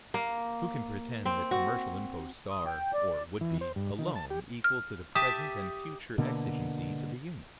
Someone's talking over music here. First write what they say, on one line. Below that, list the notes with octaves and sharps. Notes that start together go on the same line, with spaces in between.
Who can pretend that commercial imposts are, or would be, alone equal to the present and future exigencies of the Union?
A#3
C4
F#4
D#6
G5
D5
E3
C5
G2
D#3
A5
G4
F6
G4 E5 A5 D#6
B2 D3 A#3